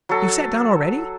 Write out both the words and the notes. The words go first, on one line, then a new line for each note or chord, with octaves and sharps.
You've sat down already?
F#3 A4